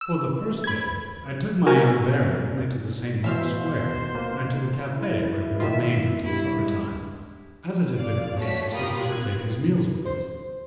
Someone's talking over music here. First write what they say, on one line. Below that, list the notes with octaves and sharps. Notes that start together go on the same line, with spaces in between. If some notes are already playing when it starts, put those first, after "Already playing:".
For the first day, I took my young baron only to the St. Mark's Square and to the cafe, where we remained until supper-time, as it had been arranged that he would take his meals with us.
E6
B5 G#6
F#4 A#4 G#5
B2 E3 C5 E5 F5 E6
A#3
E4
B2 D#3 F4 E5
G2 E4
G#3
D5 F5
A3 F#4 C#5 B6
F4 G4 A#4 B5 D#6
F#6 G#6
C5